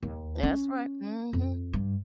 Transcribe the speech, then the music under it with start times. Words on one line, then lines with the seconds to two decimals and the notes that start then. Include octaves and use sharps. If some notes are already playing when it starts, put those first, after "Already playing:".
That's right. Mhm.
0.03 D#2
0.43 C#4
1.33 F2
1.73 G2